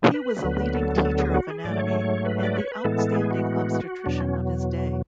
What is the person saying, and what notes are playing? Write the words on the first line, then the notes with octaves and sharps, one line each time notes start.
He was a leading teacher of anatomy, and the outstanding obstetrician of his day.
B4
D2 D3 F#3 B3
A4
A4
G#4
F#4
G#4
G#2 F#3 A3 D5
C#5
B4
D5
C#5
B4
A2 E3 G#3 B3 A4
G#4
F#4
E2 B2 F#3 D4
C#4